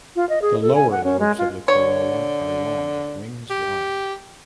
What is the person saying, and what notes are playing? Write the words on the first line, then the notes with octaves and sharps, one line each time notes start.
The lower lobes of the corolla are long with wings wide.
F4
D#5
G#4
A4
G#5
F#5
C#4
G#3
F4
D3 C#5
G4